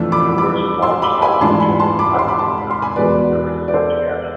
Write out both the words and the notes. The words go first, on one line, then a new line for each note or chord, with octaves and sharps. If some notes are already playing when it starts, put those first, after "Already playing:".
Numerous large subdivisions have been approved in recent years.
Already playing: F2 E3 A3 D4 F4 E6
B5 D6
B5 D6
C6 E6
B5 D6
A5
G#5 B5
G#2 E3 A3 D4 F4 A5 C6
G#5 B5
A5 C6
B5 D6
C6
B5
A5 C6
B5
C6
G#5 B5
E2 B2 G#3 B3 B4 D5
D5
A4 C5